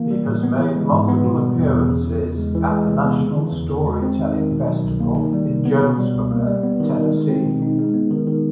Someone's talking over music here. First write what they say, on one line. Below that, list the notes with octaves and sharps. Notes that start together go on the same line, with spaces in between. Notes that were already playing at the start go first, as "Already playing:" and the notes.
He has made multiple appearances at the National Storytelling Festival in Jonesboro, Tennessee.
Already playing: E3 A#3
G3
A2
B3
E3
G#3
G#2
B3
B2
G3
E2
E2
C#3
E3
E2
G#3
E3
G#3
C3
B3
C#3
E3
E2
E2
G#3
C4
D#3
D#3
B2
F#3
C2
A#3
D#3
G3
C3
B3
B2
G3
C#2
A#3
G3
B3
D#3
D#3
G#3
C4
B2
D#4
G#3
B3
D#3
D#3